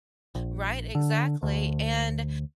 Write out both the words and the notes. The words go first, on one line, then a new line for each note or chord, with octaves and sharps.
Right, exactly, and,
A#1
D3
D2